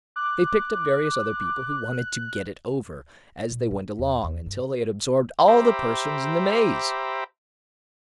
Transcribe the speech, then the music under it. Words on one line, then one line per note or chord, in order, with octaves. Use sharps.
They picked up various other people who wanted to get it over, as they went along, until they had absorbed all the persons in the maze.
D6 F#6
A#2
C#4
E2
E2
G2
G4 C5 E5 A#5 B5 D6